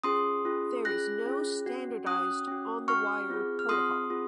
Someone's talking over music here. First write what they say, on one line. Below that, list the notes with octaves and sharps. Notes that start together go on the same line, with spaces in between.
There is no standardized on-the-wire protocol.
C#4 F4 G#4 C6 D#6
C#4 F4 G#4
C#4 F4 G#4 F#6 A#6
C#4 F4 G#4
C#4 F#4
C#4 F#4 D#6 F#6
C#4 F#4
C#4 F#4 C#6 F6
C4 F4 G#4
F6
C4 F4 G#4 C6 D#6
C4 F4 G#4